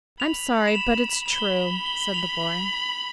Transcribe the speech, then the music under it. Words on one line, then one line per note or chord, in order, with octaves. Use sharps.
"I'm sorry; but it's true," said the boy.
B5 F7
E7
F7
F7
B5 G7
G7
F7